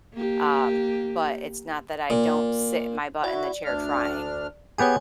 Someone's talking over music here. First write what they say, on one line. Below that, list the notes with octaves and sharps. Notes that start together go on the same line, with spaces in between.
Um, but it's not that I don't sit my butt in the chair trying.
A#3 G4
A#2
E4 F#4 D5
D2 D4 F6
B3 G4 G#4 C#5 G#5